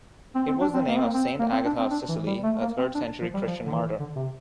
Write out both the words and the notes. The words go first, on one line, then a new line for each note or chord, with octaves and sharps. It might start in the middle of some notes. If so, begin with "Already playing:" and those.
It was the name of Saint Agatha of Sicily, a third-century Christian martyr.
C4
C4
D4
C4
A#3
C4
A#3
C4
A#3
C4
D4
C4
D4
E3
G3
A3
A#3
C4
D4
F3
G3
F3
D3
E3
D3
C3